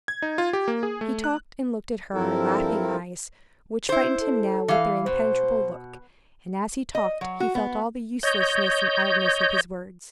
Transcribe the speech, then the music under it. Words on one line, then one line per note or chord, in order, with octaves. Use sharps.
He talked and looked at her laughing eyes, which frightened him now with their impenetrable look, and, as he talked, he felt all the uselessness and idleness of his words.
G#6
D#4
F4
G4
A#3
G#4
A3
F#6
G2 F3 C4 E4 A4 A#4
E4 C5
A4
E3 F5
B2 C5
D#5
F#3
F#4
B3
C#5 D#5 G6